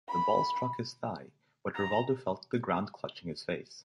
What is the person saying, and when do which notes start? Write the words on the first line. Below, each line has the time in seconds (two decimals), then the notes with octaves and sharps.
The ball struck his thigh, but Rivaldo fell to the ground clutching his face.
0.09 B5
1.75 A#5